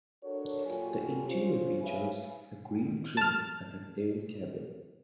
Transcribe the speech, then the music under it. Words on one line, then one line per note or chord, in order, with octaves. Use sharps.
The interior features a green trim and an airy cabin.
D4 F#4 A4 A#4 C#5
A#2 F#3 F4 G4 A4 G#5
C#4 F4 C5
G#4 B4 C#5 E5 F5 G#5
A5 F6